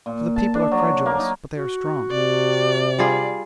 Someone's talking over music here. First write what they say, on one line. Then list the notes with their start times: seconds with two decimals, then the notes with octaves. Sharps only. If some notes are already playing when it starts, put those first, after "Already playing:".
For the people are credulous, but they are strong.
0.06 A#2
0.36 A5
0.55 D4
0.71 F#3
1.06 A#3
1.19 D#4
1.55 F#4
2.12 C3 D5
2.98 G3 F4 G#4